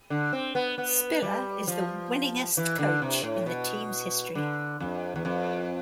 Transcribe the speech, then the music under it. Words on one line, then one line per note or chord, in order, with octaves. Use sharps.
Spiller is the winningest coach in the team's history.
D3
C4
B3
B3
G3
F3
E3
D3
C3
A2
B2
D3
F2
E2
F2